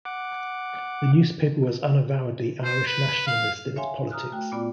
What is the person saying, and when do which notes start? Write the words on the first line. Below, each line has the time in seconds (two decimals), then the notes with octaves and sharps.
The newspaper was unavowedly Irish nationalist in its politics.
0.05 F#5 D6
2.64 C5
2.87 B4
3.27 F5
3.76 C#5 E5 F5 G#5 C6
4.11 A#5 D#6 F6 F#6
4.32 A3 F#4 G5
4.52 A#2 B3 F4 D5 D6